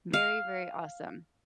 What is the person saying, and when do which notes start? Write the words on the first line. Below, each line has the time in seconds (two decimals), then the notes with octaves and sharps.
Very, very awesome.
0.13 F5